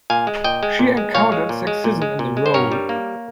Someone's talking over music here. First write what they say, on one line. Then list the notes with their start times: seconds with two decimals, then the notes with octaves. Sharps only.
She encountered sexism in the role.
0.10 A#2 F5 G#5
0.27 G#3
0.44 A#2 D#5 G5
0.63 G#3
0.79 A#2
0.97 G#3
1.14 A#2 C#5 F5
1.32 G#3
1.49 A#2
1.67 G#3
1.84 A#2
2.02 G#3
2.19 A#2
2.37 G#3
2.46 C5
2.54 G2 A#4 C#5
2.72 G3
2.89 A#3